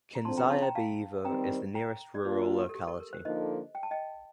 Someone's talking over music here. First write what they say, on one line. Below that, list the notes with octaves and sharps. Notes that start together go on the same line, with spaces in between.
Kinzyabayevo is the nearest rural locality.
A#5
D3 F3 C4 A5 C6
G5 A#5
A5 C6
G5 A#5
F5 A5
D#3 G3 C4 G5 A#5
G5 A#5
D5
A#3 D4 F4 C5
A#4
G4
A4
G4
A4
A#4
C5
D3 F3 A#3 D#4 A4 C5 D#5
G5
A5
D#5 G5